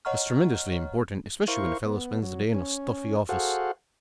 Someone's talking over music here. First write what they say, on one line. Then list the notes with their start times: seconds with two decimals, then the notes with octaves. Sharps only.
That's tremendously important, especially when a fellow spends the day in a stuffy office.
0.05 C#5 D#5 F#5 A#5 C#6 F6
1.48 E4 A#4 C5 F5 C#6
1.85 B3
2.23 F#3
2.55 C#4
3.29 F#4 G#4 A4 C5 F5 F#5